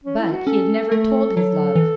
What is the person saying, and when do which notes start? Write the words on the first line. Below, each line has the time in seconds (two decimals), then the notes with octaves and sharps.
But he had never told his love.
0.04 C#4
0.19 E4
0.32 F#4
0.47 C#4 A4
0.91 A3
1.37 F#3 A4
1.75 E3